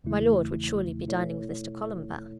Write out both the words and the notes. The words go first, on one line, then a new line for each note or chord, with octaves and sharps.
My lord would surely be dining with Mr. Columbell.
E2 C#3 E3 A3 E4
B2 A3 E4 A4 C#5